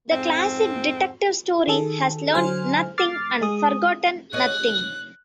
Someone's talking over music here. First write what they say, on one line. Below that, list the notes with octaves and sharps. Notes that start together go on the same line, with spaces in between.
The classic detective story has learned nothing and forgotten nothing.
F2 G#2 C4
D#3 G#4 A4
D3 F#3 C5 G#5 F6
D6 F6 A6 C7
G#3 G#4 D#6
C#5 D#5 F#6